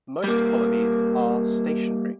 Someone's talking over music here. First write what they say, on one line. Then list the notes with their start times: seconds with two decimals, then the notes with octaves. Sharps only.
Most colonies are stationary.
0.24 G3 A#3